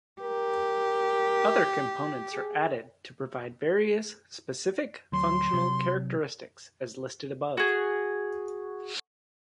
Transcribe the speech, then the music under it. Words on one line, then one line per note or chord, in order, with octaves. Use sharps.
Other components are added to provide various specific functional characteristics as listed above.
G4 A#4
G#4
D2 F#3 C6
C3 F#3
F#4 G#4